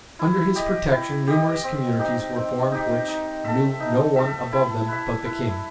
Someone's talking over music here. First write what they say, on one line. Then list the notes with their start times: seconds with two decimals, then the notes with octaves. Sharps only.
Under his protection numerous communities were formed which knew no one above them but the king.
0.19 E4
0.55 G4 D#5
0.91 E4
1.28 G4 D#5
1.63 C4
1.99 D#4 G4
2.36 C4
2.72 D#4 G4
3.08 D#4
3.44 A4 E5
3.80 D#4
4.16 A4 E5
4.53 E4
4.88 B4 E5
5.25 E4